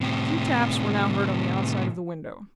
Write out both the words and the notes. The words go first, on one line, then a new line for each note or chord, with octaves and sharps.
Two taps were now heard on the outside of the window.
A2 C3